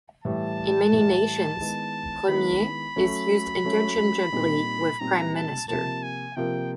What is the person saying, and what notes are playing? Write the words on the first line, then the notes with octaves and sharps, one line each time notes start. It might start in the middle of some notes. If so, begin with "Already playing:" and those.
In many nations, "premier" is used interchangeably with "prime minister".
A2 E3 G3 A5
A2 E3 G3
D#3 G#3 B3 E4
D#3 G#3 B3 E4 B5
F#3 A3 C#4
F#3 A3 C#4
A#2 G3 C4 D#4
A#2 G3 C4 D#4 A#5
A5
C3 F3 A#3 A5
G#5
C3 F3 A#3 G5